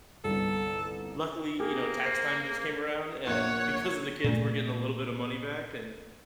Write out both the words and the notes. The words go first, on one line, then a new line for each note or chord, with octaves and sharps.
luckily, you know, tax time just came around, and because of the kids, we're getting a little bit of money back and
G1 C2 A4
A#3 G4 G#4 A#4
C5 C7
A#1 A#3 C#5 F#5
A#2 A3